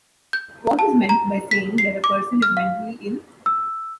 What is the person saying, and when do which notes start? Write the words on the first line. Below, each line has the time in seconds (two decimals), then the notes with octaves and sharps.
What was meant by saying that a person is mentally ill?
0.33 G6
0.79 A5
1.09 A#5
1.51 B6
1.78 C7
2.04 D6
2.42 F6
2.57 F5
3.46 E6